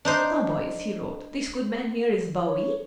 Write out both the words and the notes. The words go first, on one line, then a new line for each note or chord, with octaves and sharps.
"Now boys," he roared, "this good man here is Bowie."
D4 D#4 C5
C#5